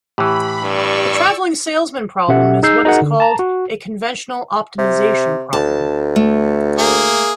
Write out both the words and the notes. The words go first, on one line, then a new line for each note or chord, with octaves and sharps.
The traveling salesman problem is what is called a conventional optimization problem.
A2 E3 G4 B5
G2 D5 C#6 E6
B2 C#4 G4 A4 E5 F#5
D#4 G#4 E6 G6 C7
D#4 F#4 G#4 A#4 F#5
D3
A5 A#5
F#4
C3
D2 A5
A3
A#3 G#4